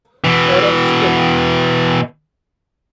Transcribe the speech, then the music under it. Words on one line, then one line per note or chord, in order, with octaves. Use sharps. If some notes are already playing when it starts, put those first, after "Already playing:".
Or escape?
B2 E3